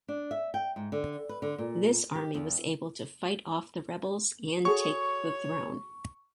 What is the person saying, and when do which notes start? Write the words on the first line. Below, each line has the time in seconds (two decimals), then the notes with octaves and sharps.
This army was able to fight off the rebels and take the throne.
0.08 D4
0.31 E5
0.54 G5
0.76 G#2
0.92 D3
1.29 B4
1.42 D3
1.58 A#2
2.15 G4
2.35 E2
4.65 F#4 G#4 A4 C#5 C#6